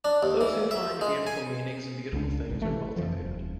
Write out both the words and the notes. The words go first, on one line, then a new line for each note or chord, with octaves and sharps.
Those who find beautiful meanings in beautiful things are the cultivated.
D4
D#2
E3
E5
G#3
G#5
C#2 D4
G#1
C3 E3 A3
F2 E3 F3
D#1